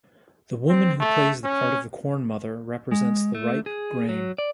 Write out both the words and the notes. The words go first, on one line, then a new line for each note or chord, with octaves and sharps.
The woman who plays the part of the Corn Mother represents the ripe grain.
C4
A3
C#4
G#3
A3
G#4
F#3
D5